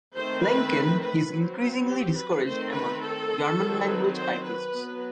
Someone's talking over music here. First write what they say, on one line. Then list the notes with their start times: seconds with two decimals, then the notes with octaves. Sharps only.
Plenken is increasingly discouraged among German-language typists.
0.17 D#3 A3 C4 C5
0.45 B4
1.02 B4
1.29 F#3 C4
1.86 G4
2.15 B4
2.43 D#3 A3 C4 C5
2.71 B4
3.00 A4
3.56 D#3 F#3 C4
3.84 B4
4.14 C5
4.42 B4
4.69 F#3 B3